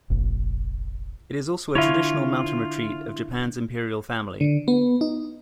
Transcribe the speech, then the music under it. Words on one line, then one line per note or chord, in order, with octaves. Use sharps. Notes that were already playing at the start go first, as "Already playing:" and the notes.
It is also a traditional mountain retreat of Japan's imperial family.
F1 A#1
D3 E4 F4 C#5 E5
D3
B3
D#4